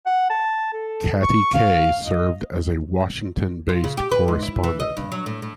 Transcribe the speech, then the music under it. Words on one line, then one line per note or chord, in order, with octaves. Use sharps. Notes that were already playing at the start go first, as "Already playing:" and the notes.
Katty Kay served as a Washington-based correspondent.
F#5
A5
A4
C#6
F5
D#5
F4
C#3
G4
B4
G#2
E4
E3
D#5
G2
F#3
A2
A2